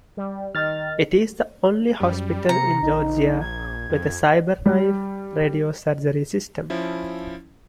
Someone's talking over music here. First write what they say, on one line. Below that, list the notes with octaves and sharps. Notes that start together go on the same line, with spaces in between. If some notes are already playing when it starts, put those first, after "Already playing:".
It is the only hospital in Georgia with a Cyberknife radiosurgery system.
G3
D#3 D#5 F6 A6
F#2 G3
C3 A#5 C#7
A#1 D#4
G#6
F2
G3
F3 C#4 E4